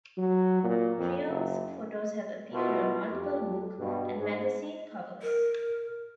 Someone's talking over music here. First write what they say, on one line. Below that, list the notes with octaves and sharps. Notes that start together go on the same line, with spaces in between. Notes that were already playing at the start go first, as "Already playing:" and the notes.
Truong's photos have appeared on multiple book and magazine covers.
F#3
A#2
F2
F#1
B2 E4 F4 A#4
F2 G4
G2 B2
G#2
A#4